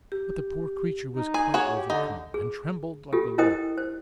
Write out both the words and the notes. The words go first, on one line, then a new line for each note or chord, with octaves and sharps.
But the poor creature was quite overcome, and trembled like a leaf.
G4
D#4
G#4 G#5
F#4 G#4 C#5
G4
D3 D#4
G#4
F4 G4 A4
E4 A#4 C5 D#5 G5 D#6
C5